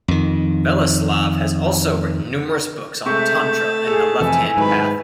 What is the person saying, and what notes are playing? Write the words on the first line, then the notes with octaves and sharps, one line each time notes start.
Veleslav has also written numerous books on Tantra and the Left Hand Path.
F2 D#3
C3 G#3 A3 E5 A5 C#6 G6
G#4 A4
F2 C3 E3 E4 A4 G#5
G#2 D#3 F#3 B4